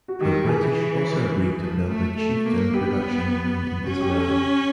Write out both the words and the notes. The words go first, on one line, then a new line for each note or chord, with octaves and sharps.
The British also agreed to build a Chieftain production line in Israel.
F#4
D#3 G4
G4
E3 G#4
F3
A3
A3 A4
A#3
B3 G4
C#4 F#4
G4
A4
G4